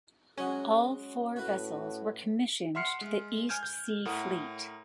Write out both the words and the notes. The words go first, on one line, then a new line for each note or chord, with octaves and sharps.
All four vessels were commissioned to the East Sea Fleet.
F#3 G#3 C#4 G#4 F#5
A2 F#4 B4 F#5
E5 F#5 C6 F6 C7 C#7
G#3
G#5 F6 G6 G#6
G6
A2 A#4 F#5 A#5 D#6